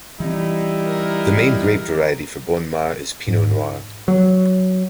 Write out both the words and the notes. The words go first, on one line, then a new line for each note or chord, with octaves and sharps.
The main grape variety for Bonnes Mares is Pinot Noir.
E3 G3 C4 D#4 E4
A#4
G#2
F#3